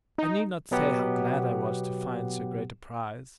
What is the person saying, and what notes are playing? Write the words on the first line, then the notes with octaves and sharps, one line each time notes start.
I need not say how glad I was to find so great a prize.
D#4
B2 F#3 B3 G4 F#5